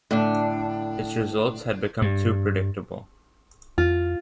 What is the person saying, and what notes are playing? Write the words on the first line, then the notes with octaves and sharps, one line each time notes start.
Its results had become too predictable.
A2 D3 D4
G2
F2 F4